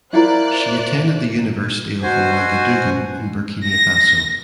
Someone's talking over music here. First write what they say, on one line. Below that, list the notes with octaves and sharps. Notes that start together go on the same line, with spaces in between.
She attended the University of Ouagadougou in Burkina Faso.
E4 F4 A#4 C5 D5 F#6
B2 F#4 C5 G#5
A#6